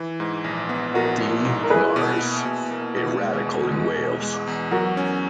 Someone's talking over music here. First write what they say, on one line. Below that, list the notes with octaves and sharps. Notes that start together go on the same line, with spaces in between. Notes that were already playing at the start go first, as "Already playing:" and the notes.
D. Mares: A Radical in Wales.
Already playing: E3
G#2
A#1
B3
A#1 F#4 A#4
A#1
G#2
A#4
E4 G#4 B4
B2
A#3
B2
A#3
B2
G#3
E2
G#3
B2
G#3
E2
F#3 F#4 A#4
C#4